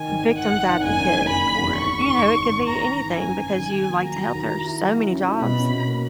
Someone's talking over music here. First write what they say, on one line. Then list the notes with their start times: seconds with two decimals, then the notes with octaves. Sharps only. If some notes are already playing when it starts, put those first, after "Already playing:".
victim's advocate or, you know, it could be anything because you like to help, there are so many jobs
Already playing: D#3 G#5
0.08 G#1
0.23 D#3
0.38 G#1 F#5
0.53 G#1
0.68 G#1
0.83 F#1 G#5
0.99 F#1
1.14 F#1
1.30 F#1 B5
1.45 F#1
1.61 E2
1.76 G#1 C#6
1.90 G#1
2.07 G#1
2.22 G#1
2.37 G#2
2.52 G#2
2.67 G#1 A#5
2.82 E3
2.97 G#1
3.13 F#2 G#5
3.28 G#1
3.43 G#1
3.59 D#3
3.74 D#3
3.90 A#3
4.04 F#3 A#5
4.19 F#3
4.34 D#2
4.50 E4
4.66 E4
4.80 F#3
4.96 E4
5.10 C#4
5.25 E4
5.41 B2 B5
5.57 C#4
5.72 B2
5.87 A#3